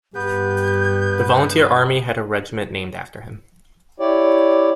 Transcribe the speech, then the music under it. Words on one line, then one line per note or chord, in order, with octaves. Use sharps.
The Volunteer Army had a regiment named after him.
G2 B3 G4 B4 G6
E4 G4 C#5 D5